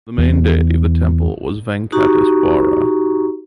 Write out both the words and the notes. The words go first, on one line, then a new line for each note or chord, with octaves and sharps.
The main deity of the temple is Venkateswara.
E2
D#4 F#4 G4 A#5 C#6